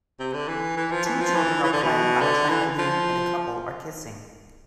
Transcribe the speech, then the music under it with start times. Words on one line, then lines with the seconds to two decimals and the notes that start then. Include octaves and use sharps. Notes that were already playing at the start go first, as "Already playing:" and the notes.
Two children are playing on a trampoline and a couple are kissing.
0.20 C3
0.34 D3
0.48 E3
0.77 E3
0.91 F3
1.06 E3
1.21 F3
1.35 E3
1.63 E3
1.73 D3
1.83 B2
2.21 D3
2.50 E3
2.78 F3